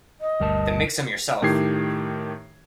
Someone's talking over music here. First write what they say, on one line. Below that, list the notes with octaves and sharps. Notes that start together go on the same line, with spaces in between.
Then make some yourself.
D#5
G1 D2 G3 A#4 A5
A2 D#3 G4 G#6 C7